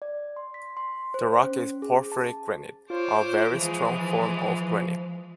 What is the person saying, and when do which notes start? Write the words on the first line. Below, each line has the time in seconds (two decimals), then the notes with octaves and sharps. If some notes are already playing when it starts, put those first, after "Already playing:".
The rock is porphyritic granite, a very strong form of granite.
0.02 D5
0.36 C6
0.54 B6
0.77 C6
1.14 C5
1.44 C#4
1.82 G#4
2.12 A5
2.90 F4 C5 C#5 D6
3.55 E3 F3 G#3